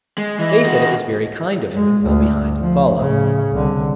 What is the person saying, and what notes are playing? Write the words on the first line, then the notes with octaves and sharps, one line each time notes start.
They said it was very kind of him, and fell behind, and followed.
G#3
E3 D#5
E2 F#4
G#3
D2
F3
A2 C#3
C2 D3